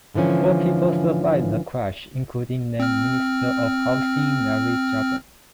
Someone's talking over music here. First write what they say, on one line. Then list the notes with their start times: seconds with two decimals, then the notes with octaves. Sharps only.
Four people survived the crash, including then Minister of Housing, Larry Shaben.
0.14 G#2 D3 E3 F3 C#4
2.80 C4 F6